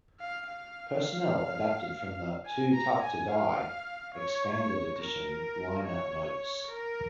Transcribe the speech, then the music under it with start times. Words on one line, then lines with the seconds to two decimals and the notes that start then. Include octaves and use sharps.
Personnel adapted from the "Too Tough to Die" expanded edition liner notes.
0.20 F5
0.49 F5
2.46 G#5
2.74 A#5
3.03 G#5
3.31 F5
4.15 C#5
5.00 A#4
5.84 C#5
6.69 A#4